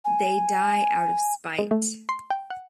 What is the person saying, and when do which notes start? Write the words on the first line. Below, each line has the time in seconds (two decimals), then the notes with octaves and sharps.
They die out of spite.
0.05 G#5
1.59 G#3
1.71 A3
2.09 C6
2.30 G5
2.50 F#5